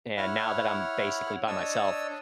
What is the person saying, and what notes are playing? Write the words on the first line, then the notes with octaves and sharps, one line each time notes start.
and now that I'm, basically by myself,
E4 C#5 F#5 F6
D4 C#5 D#5 E6